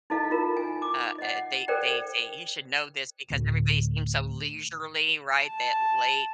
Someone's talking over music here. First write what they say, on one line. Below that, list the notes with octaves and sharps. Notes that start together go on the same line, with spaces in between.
uh, er, they they they, usually know this because everybody seems so leisurely, right, that late
D#4 E4 A4 D#5 F5
D#4 F4 A#4
G#5
D6
D#5 F#5
A4 A#4 C5 D5 G5
D2 A2
A5